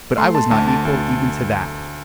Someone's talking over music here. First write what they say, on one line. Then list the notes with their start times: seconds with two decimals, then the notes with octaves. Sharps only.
But I was not equal even to that.
0.18 A3 C6
0.35 A5
0.51 D2 A5
0.68 A5
0.85 D2